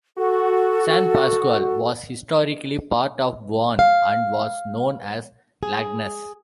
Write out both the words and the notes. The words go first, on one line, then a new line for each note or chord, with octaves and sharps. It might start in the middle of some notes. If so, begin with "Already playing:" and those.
San Pascual was historically part of Bauan and was known as "Lagnas".
F#4 A4
F5
G#4